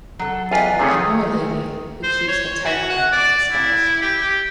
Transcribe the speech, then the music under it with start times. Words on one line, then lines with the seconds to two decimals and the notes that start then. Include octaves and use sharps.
I know a lady who keeps a typewriting establishment.
0.19 F#3 A4
0.51 E2 F4 B4 D#5 G5 G#5
0.79 C3 A3 C#4 D#4 G#4
0.94 D#3
2.03 C5
2.28 C#5
2.65 F#4
2.90 F#5
3.12 D5
3.52 E4
4.01 G4
4.21 G4